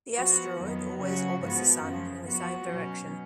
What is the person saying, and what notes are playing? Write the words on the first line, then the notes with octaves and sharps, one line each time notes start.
The asteroid always orbits the Sun in the same direction.
F3 B3 F#4
F2 D#3 F#3 B3
C#3 F#3 C#4 F#4
G#2 F3 B3 F#4
F#2 C#3 F3
F3 B3 F#4
B2 F#3 C#4